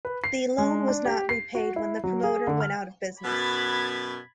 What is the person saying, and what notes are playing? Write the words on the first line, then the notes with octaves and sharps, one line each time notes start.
The loan was not repaid when the promoter went out of business.
B4
C7
G#3
D4
G4
C7
F#4
E4
F#3
G#4
D3
F6
F#2 B2 B5 G#6 A6